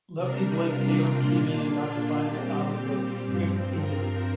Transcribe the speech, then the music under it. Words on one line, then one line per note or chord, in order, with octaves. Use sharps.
Lefty Blake Taylor came in and got the final out of the fifth inning.
C3 G3 D4 A#4
F4
A#2 A#3 D4
A#2 G3 C4 G4
G2 F3 C4
A#4